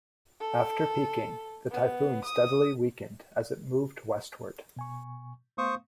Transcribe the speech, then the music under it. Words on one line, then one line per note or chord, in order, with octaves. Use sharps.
After peaking, the typhoon steadily weakened as it moved westward.
A4
B3
D#6
B2 G#5 C#6
A3 B3 C5 F5 C#6 D#6